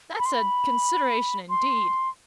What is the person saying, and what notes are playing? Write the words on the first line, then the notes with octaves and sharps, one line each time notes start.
That's a consideration, indeed.
B5
C6
B5
C6